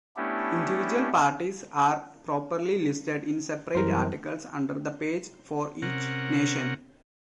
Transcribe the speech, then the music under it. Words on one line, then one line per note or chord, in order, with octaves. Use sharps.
Individual parties are properly listed in separate articles under the page for each nation.
A3 B3 C#4 D4 E4 G4
F#2 E3 G3 A#4 C5
C3 C#4 A#4 F#5